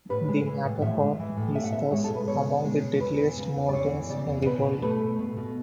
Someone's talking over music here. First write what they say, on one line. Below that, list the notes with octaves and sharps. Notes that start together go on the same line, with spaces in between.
The Matterhorn is thus amongst the deadliest mountains in the world.
A2 B4
G#3
E3
A2
A2 E5
G#3
E3
A2
B2 E5
F#5
B3 E5
G#3 C#5
A4
B2
B4
B2 C#5
B3
G#3
B2
E2 B4
E3
C#3
E2
D5
E2 C#5
E3
C#3 D5
E2
B2 B4
B2
A3 B4
A3
B2
B2